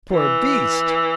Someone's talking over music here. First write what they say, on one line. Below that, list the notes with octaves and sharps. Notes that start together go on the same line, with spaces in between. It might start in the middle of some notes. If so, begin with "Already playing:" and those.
"Poor beast!"
E3